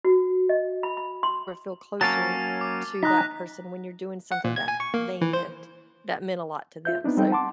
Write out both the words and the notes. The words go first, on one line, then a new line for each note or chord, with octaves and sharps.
feel closer to that person when you're doing something that they meant that meant a lot to them, so,
F#4
D#5
B5
B5
C6
F#3 A#3 C#4 A5
D6
D#4 A#5 F#6 A#6 B6
F#5
A#2
G#6
G#5
C#6
A#3
E3
C5
F4 E5 G6
B3 C4 D4 D#4
G3 C4 D#4 A4 G5
F#5 A5 C6 D6